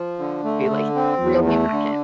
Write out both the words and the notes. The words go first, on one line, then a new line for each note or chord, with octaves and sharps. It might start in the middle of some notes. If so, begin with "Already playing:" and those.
be, like, reel me back in.
Already playing: F3
D3
A3
D3
C4
E2
A3
D3